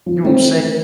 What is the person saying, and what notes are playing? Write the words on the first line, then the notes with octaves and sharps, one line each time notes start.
You know I'm saying?
F3
A3 C4